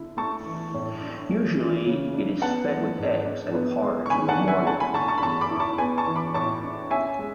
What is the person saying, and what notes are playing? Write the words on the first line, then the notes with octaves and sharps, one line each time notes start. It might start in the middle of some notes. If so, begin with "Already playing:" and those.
Usually it is fed with eggs and porridge in the morning.
Already playing: D3 E4
A3 A5 C#6
E3
A2
D4
G#3
E3
C#3
D4
B3 F#5 A5
E3
G#2
D4
B3
G#3
C#6
D3 G#5 B5
F#5 A5
D4
E5 G#5
A3 F#5 A5
G#5 B5
D3 A5 C#6
A5 C#6
B5
E2 A5 C#6
B5 D6
E4
D6
A5 C#6
B3 G#5 B5
A5 C#6
E3
B5 D6
A2 A5 C#6
D4
C#4 E5 G#5
G#3